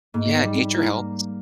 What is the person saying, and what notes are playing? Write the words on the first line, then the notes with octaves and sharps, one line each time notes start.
Yeah, nature helps.
G#2 A#3
A#3
B3
G3
C4
A#3 E4